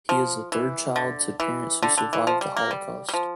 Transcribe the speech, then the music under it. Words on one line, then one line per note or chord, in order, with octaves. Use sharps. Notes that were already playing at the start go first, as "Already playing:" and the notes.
He is a third child to parents who survived the Holocaust.
F3
E3
D3
E3
D3
D3
E3
F3
G3
A#3
G3
G3
F3